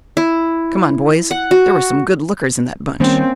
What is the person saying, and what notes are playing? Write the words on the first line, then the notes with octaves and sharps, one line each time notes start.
"Come on, boys--there were some good lookers in that bunch."
E4
F#5
F#4
D#3 G3 A#3 C4 C#4 C5